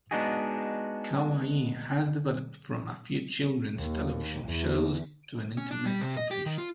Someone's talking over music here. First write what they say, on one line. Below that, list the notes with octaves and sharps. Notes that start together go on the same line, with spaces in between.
Kawaii has developed from a few children's television shows to an Internet sensation.
G#3 B3 D4 D#4 F#4 G#4
D#2
E2
C#4
D4
G3
C3
D#5
G4
D#3
F4